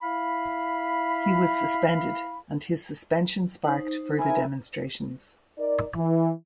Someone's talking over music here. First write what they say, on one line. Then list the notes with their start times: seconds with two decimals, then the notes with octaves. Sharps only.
He was suspended and his suspension sparked further demonstrations.
0.02 E4 F5 B5
3.64 D#4 C5
4.19 E4 A#4 E5 G#5
5.58 D#4 A#4 D5
5.95 E3